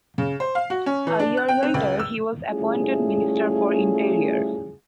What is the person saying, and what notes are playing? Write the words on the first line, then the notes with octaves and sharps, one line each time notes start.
A year later he was appointed Minister for Interior.
C#3
C5
F5
F#4
C#4
E3
D4
F#6
G5
C4
C#2
E6
G3 A3 C#4 E4 F4 G#4